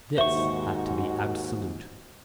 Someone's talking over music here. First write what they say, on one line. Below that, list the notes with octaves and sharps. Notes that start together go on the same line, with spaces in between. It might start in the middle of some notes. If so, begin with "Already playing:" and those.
This had to be absolute.
D#2 G#2 F#4 C5 E5 C#6